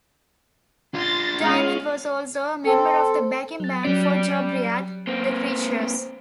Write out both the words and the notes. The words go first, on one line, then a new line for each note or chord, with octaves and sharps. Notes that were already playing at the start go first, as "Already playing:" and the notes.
Diamond was also a member of the backing band for Jobriath, The Creatures.
D4 F4 C6 A6 A#6
G#3 B3 C#4 F5
C4 A4
F#3 A6
F#3 C#4 G4 D5
A#3 C4